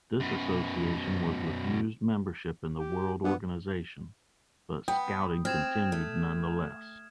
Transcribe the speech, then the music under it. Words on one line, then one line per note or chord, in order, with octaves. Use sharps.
This association was refused membership in the World Organization, but Scouting continued nonetheless.
F#2 B2
G4
G2 B3
B3 G5 D#6
C4 F6 G#6 E7
A3